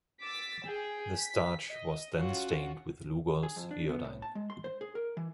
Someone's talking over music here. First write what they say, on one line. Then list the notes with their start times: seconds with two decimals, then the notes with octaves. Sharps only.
The starch was then stained with Lugol's iodine.
0.22 D6 E6 A6 B6
0.65 G#4 G5
1.20 B6
1.68 D#5
2.13 C#4 F4 F#4
3.43 G#4
3.56 F2
3.71 D4
3.89 B3
4.04 A2
4.22 A5
4.35 G#3
4.50 C6
4.64 C5
4.81 G#4
4.95 A#4
5.17 E3